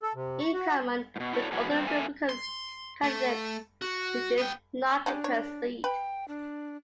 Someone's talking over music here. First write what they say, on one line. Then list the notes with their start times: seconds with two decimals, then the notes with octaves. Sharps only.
In common with other Republican candidates, she did not take her seat.
0.03 A4
0.15 C3
0.40 C#6
0.53 F#4
1.16 G#2 B2
1.33 E4 F#4 A4 B4 C#5 D5
1.52 B2 E3 F#3 G#3 B3
1.71 G2 C4
1.87 F2 A#3 A4 E5 G#5
2.29 C6
3.04 A3
3.82 F#4
4.38 B3 G5
5.06 C#3 G3 C#4 D4
5.24 C#5
5.84 B4 G5
6.28 D4